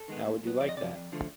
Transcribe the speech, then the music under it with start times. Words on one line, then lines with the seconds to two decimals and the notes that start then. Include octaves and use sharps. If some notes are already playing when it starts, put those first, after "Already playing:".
How would you like that?
Already playing: A4
0.08 D#3 G#3 B3
0.25 A#2
0.43 F#3 B3
0.60 F2 D5
0.69 D#5
0.77 C3 D5
0.83 F3
0.95 F2
1.12 D3 F3 A3